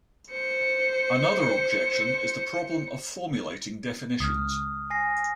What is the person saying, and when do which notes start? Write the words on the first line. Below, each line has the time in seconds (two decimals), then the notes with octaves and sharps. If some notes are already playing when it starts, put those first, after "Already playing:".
Another objection is the problem of formulating definitions.
0.31 C5 C#7
4.20 C#2 D#6 F6
4.90 G#5 A#6 C7